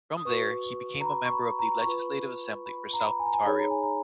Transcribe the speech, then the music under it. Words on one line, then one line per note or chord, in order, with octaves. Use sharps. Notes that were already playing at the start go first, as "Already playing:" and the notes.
From there, he became a member of the Legislative Assembly for South Ontario.
D#6
F#4 B4 C#6
A#5
B5
C#6
B5
A#5
C#6
F4 B4 B5
B5
A#5
B5
A#5
G#5
A#5
G#5
D#4 G#4 C#5 B5
A#5
G#5
A#5